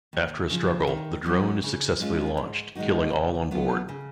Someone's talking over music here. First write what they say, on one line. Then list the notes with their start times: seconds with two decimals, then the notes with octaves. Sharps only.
After a struggle, the drone is successfully launched, killing all on board.
0.13 D#2
0.50 C#3 F3
0.87 D#3
1.26 F#3 C#4 F#4
1.63 C#3
2.00 G#3 C#4 F4
2.37 G#2
2.75 D#3 G#3 D#4 F#4
3.13 C#3
3.51 F#3 B3 F4
3.89 C#3